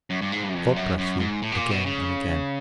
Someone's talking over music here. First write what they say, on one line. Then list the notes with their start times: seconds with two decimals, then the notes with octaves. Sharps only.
God bless you, again and again!
0.10 F#2
0.22 G2
0.32 G#2
0.44 G2
0.49 F#2
0.54 F2
0.76 F#2
0.98 F#2
1.20 G#2
1.42 A2
1.52 B2
1.57 A#2
1.71 B2
1.86 C#3